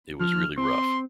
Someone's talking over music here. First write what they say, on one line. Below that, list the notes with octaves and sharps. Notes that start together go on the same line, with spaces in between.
It was really rough.
F3 F6
C4 C6